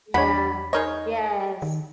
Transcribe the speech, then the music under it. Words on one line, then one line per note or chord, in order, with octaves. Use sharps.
Yeah. Yes.
E2 D4 C#5 F#5 B5
G#3 D#4 A#4 C#5 D#5
D#3